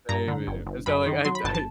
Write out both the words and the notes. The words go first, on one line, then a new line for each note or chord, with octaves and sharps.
Maybe. And so like, I d I
G2 A#5
D3
G1
G1
F#2 B5
D#3
F#3 C6
B5
G1 A5
A5